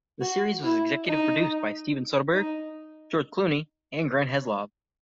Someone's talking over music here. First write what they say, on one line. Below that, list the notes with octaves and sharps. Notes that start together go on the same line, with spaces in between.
The series was executive produced by Steven Soderbergh, George Clooney, and Grant Heslov.
F#4
E4
D#4
D#4